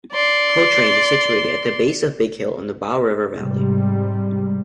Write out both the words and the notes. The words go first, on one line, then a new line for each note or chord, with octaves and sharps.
Cochrane is situated at the base of Big Hill in the Bow River Valley.
D5 C6
G#2 C3 G3